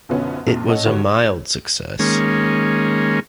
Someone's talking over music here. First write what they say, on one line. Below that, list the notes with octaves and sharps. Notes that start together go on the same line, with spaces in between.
It was a mild success.
B1 F#2 D3 F3 B3 C#4
A#1 F2 A#2
A3 C#4 A4 D#5 F#5
G1 F#4 G4 B4 C#5
D#3 G#3 A#3 C#4